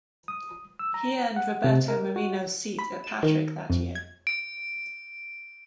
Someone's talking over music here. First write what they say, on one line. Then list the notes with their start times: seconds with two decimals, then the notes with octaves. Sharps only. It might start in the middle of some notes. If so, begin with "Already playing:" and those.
He earned Roberto Moreno's seat at Patrick that year.
0.28 D#6
0.79 E6
0.94 A#5
1.36 F#5
1.64 C3
1.88 A#4
2.16 F#4
2.79 B5
3.04 E7
3.23 D#3
3.70 F2
3.95 G#6
4.27 D7